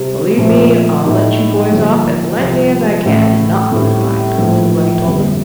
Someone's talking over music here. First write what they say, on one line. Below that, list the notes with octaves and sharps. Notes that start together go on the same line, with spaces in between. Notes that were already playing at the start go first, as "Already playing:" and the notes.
"Believe me, I'll let you boys off as lightly as I can, and not lose by it," was what he told them.
Already playing: C3 G3 C4 G4
A#2 F3 A3 C4
A2 A3 D#4 G4
G1 G2 F3 A#3
C2 C3 F3
A1 A2 A3
A2 G3 C4
A#1 A2 F3 A3
G1 F2 D3 G3